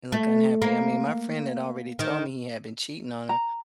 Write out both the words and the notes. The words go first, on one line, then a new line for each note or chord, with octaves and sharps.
You look unhappy." I mean my friend had already told me he had been cheating on her
A3
A#3
D#3
A#5